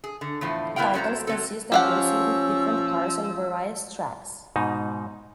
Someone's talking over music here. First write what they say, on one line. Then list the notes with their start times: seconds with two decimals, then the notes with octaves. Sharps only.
The titles consist of racing with different cars on various tracks.
0.04 G#4
0.21 D3
0.41 E2 A2 F3
0.76 A#3 B3 E4 G4 F5 G5
0.94 F2 C#4 F#4 A4 C5 A#5
1.27 F#3 C4 A4
1.72 F3 C#4 G4 F5 F#5 E6
4.56 G#2 B2 D#4